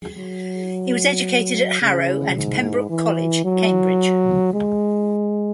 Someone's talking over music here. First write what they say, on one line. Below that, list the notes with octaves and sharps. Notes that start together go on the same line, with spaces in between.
He was educated at Harrow and Pembroke College, Cambridge.
F#3
C#3
G#2
E3
F#3
G#3